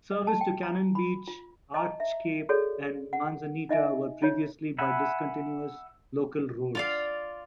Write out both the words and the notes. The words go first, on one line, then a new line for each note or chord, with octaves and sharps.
Service to Cannon Beach, Arch Cape, and Manzanita were previously by discontinuous local roads.
D#5
A5
G5
A#5
B5
F4
D#5 A5 A#5
E5
F#4 G#4 A4 C#5 D5
F#5
D#4 D#5 E5 G#5
D#4 F4 C#5
E5 F#5 G#5 B5
F4 D5 F5